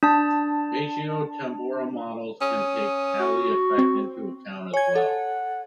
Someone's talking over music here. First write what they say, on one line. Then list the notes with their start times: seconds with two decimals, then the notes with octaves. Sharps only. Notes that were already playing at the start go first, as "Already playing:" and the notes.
Spatio-temporal models can take Allee effect into account as well.
0.03 D4 A5
2.41 C#4 D#6
3.19 F#4
3.78 C4
4.74 C#5 G#5 G#6
4.96 A4 F#5